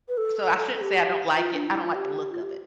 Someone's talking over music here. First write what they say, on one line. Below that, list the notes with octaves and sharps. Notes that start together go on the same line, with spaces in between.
so I shouldn't say I don't like it. I don't like the look of it.
B4
A4
A4
G4
F4
D4
E4
F4
G4
F4
G4